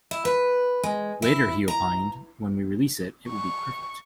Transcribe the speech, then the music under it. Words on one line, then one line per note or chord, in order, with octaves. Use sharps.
Later he opined, when we release it, it will be perfect.
E4
B4
G#3
E4
A#5
C#6